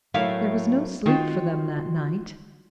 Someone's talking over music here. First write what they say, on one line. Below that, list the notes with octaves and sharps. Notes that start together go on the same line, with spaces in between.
There was no sleep for them that night.
A2 F#3 A3 A#3 E5 F5
D#3 F4 F#4 G5